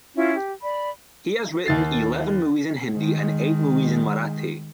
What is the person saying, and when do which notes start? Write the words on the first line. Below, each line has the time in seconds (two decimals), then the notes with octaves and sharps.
He has written eleven movies in Hindi and eight movies in Marathi.
0.15 C#4 E4 F4
0.35 G4
0.62 D5 B5
1.66 D#2 A6 C7
2.94 D#3 G#3